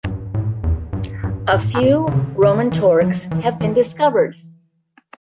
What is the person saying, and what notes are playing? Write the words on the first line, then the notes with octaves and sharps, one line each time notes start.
A few Roman torcs have been discovered.
G2
A2
E2
G2
G2
A2
B2
D3
C#3
D3
E3
F#3
E3
E3